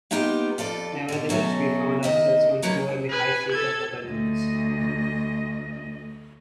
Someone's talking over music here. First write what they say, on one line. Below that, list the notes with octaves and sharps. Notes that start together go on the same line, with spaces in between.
Nevertheless we found ourselves once more in the high seat of abundance.
A#3 B3 D#4 F4 G4
F2 F4 A4 D5
B2 D3
B2 F#3 A3 C#4
D#3 D#5 E5
D#3 F#3 A#3 B4
B4 G#5
A4 G#6
D2 D#5